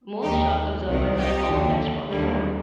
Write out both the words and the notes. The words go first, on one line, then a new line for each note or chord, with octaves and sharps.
Most shock absorbers are a form of dashpot.
D#2 D#3 D#4 G4
C2 C3 D#3
D#4 G4
D#2 D3
D#2 D3 G3 A#3